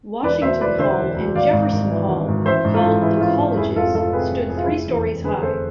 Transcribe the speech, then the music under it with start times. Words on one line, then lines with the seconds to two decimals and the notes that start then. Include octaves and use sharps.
Washington Hall and Jefferson Hall, called the "colleges," stood three stories high.
0.23 E1 B4 D5
0.42 D2 C5 E5
0.60 E1 B4 D5
0.79 D3 C5 E5
0.98 E1
1.16 D2
1.35 G#1 D5 F5
1.53 G#2
1.73 G#1
1.91 E3
2.09 G#1
2.28 G#2
2.46 A1 C5 E5
2.64 G#2
2.74 F4 A4
2.83 A1
3.01 E3 E4 G#4
3.20 A1 F4
3.39 G#2
3.57 F1 E4 G#4
3.76 F2 F4 A4
3.95 F1 F4 A4
4.13 C3 G#4 B4
4.32 F1
4.50 F2 G#4
4.57 F4
4.64 F1 E4 G#4
4.88 E2
5.06 F1
5.24 D3 G#4 B4
5.42 F1 A4 C5